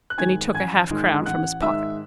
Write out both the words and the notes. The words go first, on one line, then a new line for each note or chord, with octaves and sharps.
Then he took a half-crown from his pocket.
F#6
G#2 D#3 G#3 G#5 G#6
A1 G#5 G#6
G#2 D#3 G#3
A1 F#5 F#6
G#2 D#3 G#3 E5 E6